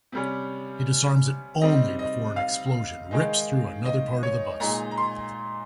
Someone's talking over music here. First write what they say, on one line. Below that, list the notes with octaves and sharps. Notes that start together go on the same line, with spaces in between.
He disarms it only before an explosion rips through another part of the bus.
C3 G3 C#4
C3 G3 C4 D#4 D#5
D#5
F5
D#3 G#3 D#4
D#5
C#5
A#2 G#3 D#4 A#5
A#5
C6